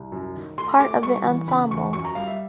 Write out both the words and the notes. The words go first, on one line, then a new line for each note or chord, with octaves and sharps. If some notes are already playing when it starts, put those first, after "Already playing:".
Part of the ensemble.
Already playing: C2
F#2
D#3
A3 C6
A3 D6
G3 C#6
E3
C#3 B5
E2 C#6
F#2 C#6
A#5
G3 F5
E5